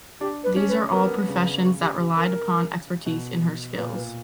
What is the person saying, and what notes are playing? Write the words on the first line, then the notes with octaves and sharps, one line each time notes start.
These are all professions that relied upon expertise in her skills.
D4 G4
B4
C#4
B4
B3 A#4
C#3
F#4
G4
G4
A#4
B2
A#2 B4
B4